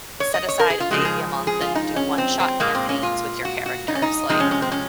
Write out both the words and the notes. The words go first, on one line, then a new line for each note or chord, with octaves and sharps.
set aside a day a month and do one-shot campaigns with your characters, like,
C#5
D#5
C#5
A#4
G#4
F4
C#3 F3 G#3 F#4
G#4
G#4
F4
D#4
C#4
C4
C4
A#2 G#3 A#3
C4
C#4
F4
F#4
F#4
D#4
C#4
D#4
C3 F3 G#3 D#4
C#4
C#4
C4
C#4